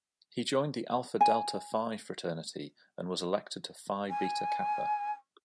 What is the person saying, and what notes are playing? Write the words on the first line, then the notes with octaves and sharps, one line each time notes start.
He joined the Alpha Delta Phi fraternity, and was elected to Phi Beta Kappa.
G#5
G#5